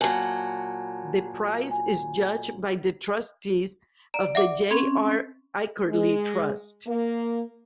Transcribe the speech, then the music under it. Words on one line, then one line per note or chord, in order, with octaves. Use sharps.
The prize is judged by the trustees of the J. R. Ackerley Trust.
A#2 F#3 G#5 A5
G#5
D5 A#5
E5 F#5 D6
C4 C#4 B5 G#6
G#3
A#3